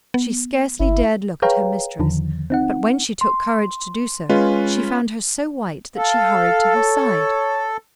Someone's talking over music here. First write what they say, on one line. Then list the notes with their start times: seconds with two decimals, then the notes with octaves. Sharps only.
She scarcely dared look at her mistress, but when she took courage to do so, she found her so white that she hurried to her side.
0.14 B3
0.79 G1 E4
1.42 G#4 B4 C#5 F5 G5 A#5
1.99 E2 D3 D#3 F3
2.50 C4 D#4 F#5
3.21 C6
4.29 G#3 C#4 F4 B4
5.98 A4 F5
6.77 C#5